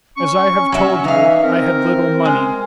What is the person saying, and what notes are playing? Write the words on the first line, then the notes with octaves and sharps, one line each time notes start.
As I have told you, I had little money.
C#4 C#6
F#3 E5
E3 D#4 E5 F5
C4 A#4
G#3